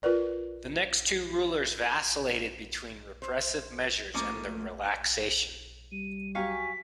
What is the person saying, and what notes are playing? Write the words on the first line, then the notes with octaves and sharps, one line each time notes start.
The next two rulers vacillated between repressive measures and their relaxation.
F4 A#4 B4 D5
C5
F3 A3 A#3 C#4
G3 D#7
F#3 G4 F5 G#5 C#6 B6